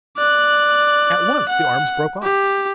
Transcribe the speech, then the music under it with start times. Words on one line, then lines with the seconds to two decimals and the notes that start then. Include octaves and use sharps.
At once the arms broke off.
0.17 D5 F#6
1.49 F#5
2.22 G4